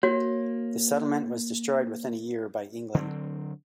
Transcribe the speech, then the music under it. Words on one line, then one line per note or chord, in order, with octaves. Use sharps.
The settlement was destroyed within a year by England.
A#3 F#4 C#5
D3 F#3 B3 C4